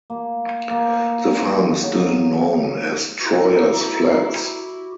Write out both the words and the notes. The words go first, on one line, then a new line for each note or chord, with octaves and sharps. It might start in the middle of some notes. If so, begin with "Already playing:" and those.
The farm is still known as Troyer's Flats.
A#3
A#3
G#4
F#3
E4 F#4 G4 A4 B4 A#5